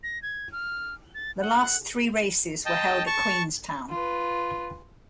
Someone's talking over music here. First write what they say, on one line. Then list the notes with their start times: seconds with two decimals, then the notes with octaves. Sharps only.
The last three races were held at Queenstown.
0.03 A#6
0.23 G#6
0.52 F6
1.15 A6
1.41 F#5
2.66 D#5 G5 A5
3.07 A5 C#6
3.89 F4 B4